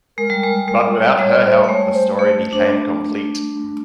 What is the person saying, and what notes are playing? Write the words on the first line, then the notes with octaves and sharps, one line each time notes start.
But without her help the story became complete.
G#3 A#4
G3
G#3
G#3
G3 C#5
C5
A3
G#3 C#5
C5
A3 C5
D4 C5